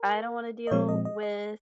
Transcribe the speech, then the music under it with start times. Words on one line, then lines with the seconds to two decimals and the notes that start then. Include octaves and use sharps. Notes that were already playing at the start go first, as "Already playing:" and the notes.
I don't wanna deal with,
Already playing: A#4
0.67 D#5
0.71 A#2 F3 G#3 C4 C#5
0.88 D#5
1.05 D#5
1.23 D#5